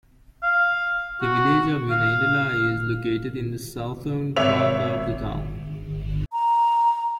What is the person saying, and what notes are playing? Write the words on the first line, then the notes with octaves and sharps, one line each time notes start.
The Village of Unadilla is located in the southern part of the town.
F5
F#4
F5
G#1 C#5 E5 F7
A#5